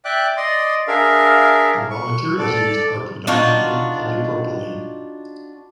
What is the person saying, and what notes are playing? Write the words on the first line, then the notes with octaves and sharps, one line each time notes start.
The raw materials used are predominantly polypropylene.
D5 E5 G5 D6 F#6
D5 D#5 C6
D4 G#4 A#4 E5 F5
C#6
A4 D5
D4 D#4 F4 F#4